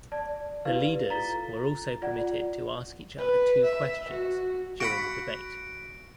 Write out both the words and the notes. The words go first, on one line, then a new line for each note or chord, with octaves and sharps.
The leaders were also permitted to ask each other two questions during the debate.
D5 A5
E4 G4 B4 D5 F5
F4 A4 A#5 A6 B6 G7
F4 D5 F#5
B4
E5
F#4
F#4 F#5 B5 D7